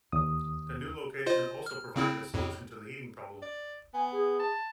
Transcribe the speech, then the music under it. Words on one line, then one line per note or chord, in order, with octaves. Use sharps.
The new location also provided a solution to the heating problem.
D#2 D#6
F4 C5 D#5
F6
C#3 C4 E4
F2 A2
D5
B3 G#5
G#4
A5